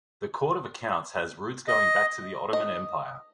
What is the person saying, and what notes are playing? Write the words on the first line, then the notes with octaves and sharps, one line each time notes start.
The Court of Accounts has roots going back to the Ottoman Empire.
D#5
D#5